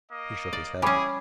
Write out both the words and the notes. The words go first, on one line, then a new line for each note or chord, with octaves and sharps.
He shook his head.
A#3 D#5
D5
G3 C#4 E4 G#4 G#5 B5 D6